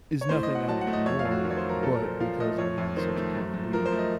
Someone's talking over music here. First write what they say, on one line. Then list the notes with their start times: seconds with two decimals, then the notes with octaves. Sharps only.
is nothing out of the norm, but because I've had such a tough week,
0.21 C#5
0.29 A2 C5
0.43 D#5
0.49 A2
0.55 F#5
0.68 F#3 A5
0.81 F#5
0.87 A3
0.93 D#5
1.06 F2 C#5
1.19 F5
1.25 F2
1.31 F#4
1.44 D#3 F4
1.51 C#5
1.57 C5
1.63 F#3
1.69 A#4
1.83 A#2 A4
1.95 A#4
2.02 A#2
2.08 C5
2.20 F3 F5
2.40 A3 D#5
2.58 F2 C#5
2.78 F2
2.96 D#3 C5
3.16 A3
3.35 F#2
3.54 F#2
3.73 F3 A#4
3.86 C5
3.92 A3
3.98 D#5